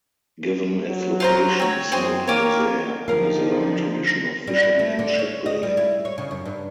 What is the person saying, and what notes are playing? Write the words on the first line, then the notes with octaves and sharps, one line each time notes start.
Given its location, Saint-Nazaire has a long tradition of fishing and shipbuilding.
F#3
F4 C5 A#5
C4 C#5
F#2 C4 G#4 C6
A#3 F4 G4 C#5
D3 F3 D#4 G4 A#4 F5
G3
E4
A3
D3
C#4
D#5
G3
E4
C#5
C#3
F#2
G2